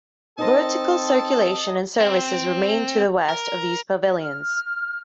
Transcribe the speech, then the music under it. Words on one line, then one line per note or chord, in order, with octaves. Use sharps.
Vertical circulation and services remain to the west of these pavilions.
C4 D#4 A4 A#4 C5 D#5 A5
C4
A#4
F6